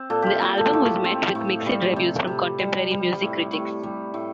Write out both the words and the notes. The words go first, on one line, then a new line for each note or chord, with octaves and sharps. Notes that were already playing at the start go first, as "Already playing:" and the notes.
The album was met with mixed reviews from contemporary music critics.
Already playing: C4
A#2 A4
F4 G4
A#2 G4
A4
A2
C4
A2
G3
C3
C3
G3
G3
A2
A2
G3
A2